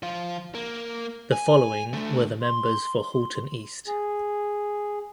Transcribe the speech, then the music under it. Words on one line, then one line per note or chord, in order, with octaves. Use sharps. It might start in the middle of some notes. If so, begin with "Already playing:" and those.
The following were the members for Halton East.
F3 F4
A#3
G#5
D3 A3
C6
G#4